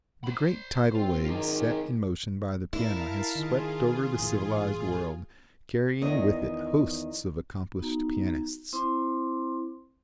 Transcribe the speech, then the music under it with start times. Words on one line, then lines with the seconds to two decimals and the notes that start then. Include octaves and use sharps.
The great tidal wave set in motion by the piano has swept over the civilized world, carrying with it hosts of accomplished pianists.
0.24 C5 B5
0.94 C4 F4
1.24 G#1 F#2 D#3 F4 G#4
2.73 E4 A#4 F5 A5
3.35 D#3 F4 G#4
4.20 A1 A#2 E3
6.02 E2 D#3 D#5
7.79 B3 D#4 F#4 A#5
8.73 C4 E4 C5 C6 D6